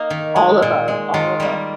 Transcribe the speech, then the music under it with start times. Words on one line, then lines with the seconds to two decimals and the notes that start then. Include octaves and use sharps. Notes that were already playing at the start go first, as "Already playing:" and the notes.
All of 'em, all of 'em.
Already playing: A#3 D#4
0.10 D#3
0.36 G#3
0.62 A#2
0.88 G#3
1.14 D#3 F4
1.40 G3 A#3